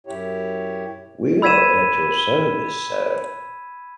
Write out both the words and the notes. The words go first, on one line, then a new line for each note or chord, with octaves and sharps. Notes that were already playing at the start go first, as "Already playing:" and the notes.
We are at your service, Sir.
F#2 E4 G4 C#5
B5 E6 G#6 B6 D#7 E7